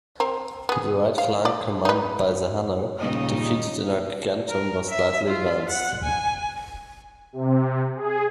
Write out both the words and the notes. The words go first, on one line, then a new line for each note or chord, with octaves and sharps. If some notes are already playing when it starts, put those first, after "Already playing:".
The right flank commanded by the Hanno defeated in Agrigentum was slightly advanced.
C4 A#4
B3 G#4
F5
D5
D#4 B4
D#2 A#2 C#3 G3 D#4 D#5
A#4
E5
F4
F#5
G#5
C3
G#4